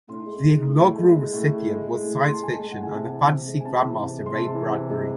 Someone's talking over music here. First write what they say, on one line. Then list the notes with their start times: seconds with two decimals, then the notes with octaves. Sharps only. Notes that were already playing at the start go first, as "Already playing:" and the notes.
The inaugural recipient was science fiction and fantasy Grandmaster Ray Bradbury.
0.08 A2 C6
0.26 G#3
0.44 G#3
0.62 A2
0.80 A2
0.98 G#3
1.16 G#3
1.33 A2
1.52 A2
1.69 G#3
1.87 G#3
2.04 A2
2.23 A2 C6
2.33 A5
2.41 G#3 G#5
2.53 A5
2.58 G#3
2.72 A2 F#5
2.83 G#5
2.93 C3 A5
3.11 E3
3.30 C3
3.47 G#3
3.60 G#5
3.65 C3 A5
3.83 E3
4.01 C3
4.19 G#3
4.26 C6
4.36 C3 A5
4.54 E3
4.71 C3
4.90 G#3